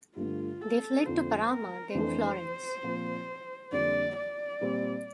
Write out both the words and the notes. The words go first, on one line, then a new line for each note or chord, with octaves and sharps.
They fled to Parma, then Florence.
G2 D3 A3 F4
A4
F2 D3 F3 A#3 F4 C5
A#4
F2 E3 A3 D4 C5
A#2 F3 C4
F2 D3 G3 A#3 D5
D5
A#2 G3 C4